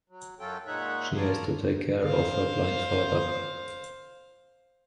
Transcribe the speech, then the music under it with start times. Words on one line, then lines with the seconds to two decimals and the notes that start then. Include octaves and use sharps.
She has to take care of her blind father.
0.10 F#3
0.40 F#2 F#3 C#4 F4 A4 G5
0.67 A#2 G#3 D#4 C#5 E5 F#5
1.16 F4 C#5 D5 A5 A#5
2.04 C5 F5